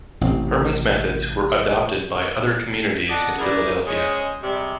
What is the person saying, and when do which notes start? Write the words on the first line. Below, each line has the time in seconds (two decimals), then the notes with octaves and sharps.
Herman's methods were adopted by other communities in Philadelphia.
0.21 A1 C3 C4
3.09 A4 D5 D#5 F#5
3.38 E3 G#4 A#4 B4 D5
3.86 G#3 C#4 G#4 C5 D#5
4.42 C3 G3 G#3